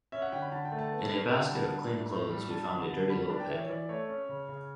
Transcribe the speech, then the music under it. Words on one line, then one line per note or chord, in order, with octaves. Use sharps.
In a basket of clean clothes we found a dirty little pig.
C#4 E5
F#5
D3 G5
B5
D3 A5
G5
A3
A5
B3
D4
A5
D3 G5
G3 A5
D4
A2
A2
G3
D4 A5
D3 B5
D3 A5
G3 B5
B5
D4 A5
G5
E3 E5
C#5
E3 D5
A3 C#5
C#4
C#3
C#3